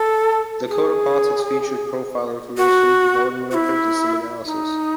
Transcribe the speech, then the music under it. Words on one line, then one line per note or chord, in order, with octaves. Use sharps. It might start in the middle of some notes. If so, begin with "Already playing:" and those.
DakotaPolitics featured profile information, voting records and some analysis.
Already playing: A4
G#4
F#4
F#4
E4
D#4